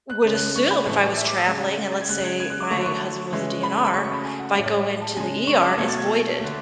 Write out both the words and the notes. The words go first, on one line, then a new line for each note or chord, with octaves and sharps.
would assume if I was traveling and let's say my husband was a DNR, if I go into the ER it's voided
F#6
C#3 G#3
F#6
C#6
B5
A2 E3 A3
G#5
D5
E5
D6
E6
C#3 G#3
A6
G#6
C#3 G#3 F#6
G#6
G#6
F#6
D6
D3 F#3 A3 C#6
C#6
C#3 E3 G#3
B5
B5
C#3 F#3 A3 C#6
C#6
B5
G#5
F#5
A2 G#3 D5
C#5
D5
A5
C#3 G#3 G#5
C#6
D6
B2 A3 G#6
A6
G#6
D3 A3